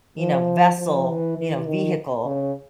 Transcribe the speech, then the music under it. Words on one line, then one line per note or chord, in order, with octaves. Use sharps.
you know, vessel, you know, vehicle,
F3
F3
E3
E3
D#3
C#3